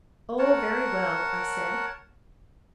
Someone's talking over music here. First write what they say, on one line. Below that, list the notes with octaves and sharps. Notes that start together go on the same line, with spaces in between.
"Oh, very well," I said.
A#4 C#5 F#5 A5